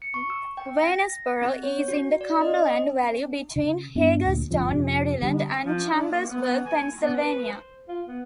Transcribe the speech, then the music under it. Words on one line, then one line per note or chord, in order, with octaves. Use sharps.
Waynesboro is in the Cumberland Valley between Hagerstown, Maryland, and Chambersburg, Pennsylvania.
C#7
C#6
E6
G5
A#6
A#6
C4
C#5
F#4
D5
D#5
D#5
C#3
G2 B3 D4
D2 A#2
G1 D#2 C#3 F3
F2 C3
D3 G3
F3
D4
A#3
B3
B3
G#5
B3
B4
C5
F4
B3